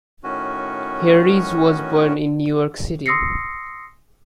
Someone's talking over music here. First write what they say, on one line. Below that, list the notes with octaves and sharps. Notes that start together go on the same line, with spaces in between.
Harris was born in New York City.
A2 D#3 C#4 F#4
C6 D#6 E6 A#6 C7 C#7